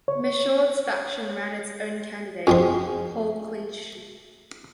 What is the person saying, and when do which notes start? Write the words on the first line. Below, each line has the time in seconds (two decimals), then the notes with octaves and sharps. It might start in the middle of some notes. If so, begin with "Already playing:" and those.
Michaud's faction ran its own candidate: Paul Cliche.
0.08 C#5
2.47 F2 C4 G#4 C6